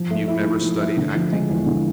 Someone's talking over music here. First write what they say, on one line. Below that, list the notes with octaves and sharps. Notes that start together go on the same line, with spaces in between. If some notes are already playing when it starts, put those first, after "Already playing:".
"And you never studied acting?"
Already playing: F3
A3
E4
G#2
F3
A3
D3
F3
G#3
E2
D3